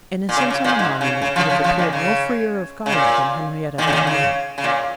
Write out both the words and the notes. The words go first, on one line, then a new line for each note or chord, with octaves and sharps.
Innocence on a monument could have appeared no freer of guile than Henriette at that moment.
A#2
C#3
C#3
A#2
G#2
C#3
C#3
C#3 F3
C#3 F3
C#3 F3
A#2 D#3
C#3
C#3
A#2
A#2 D#3
C#3
A#2 D#3
C#3
C#3
A#2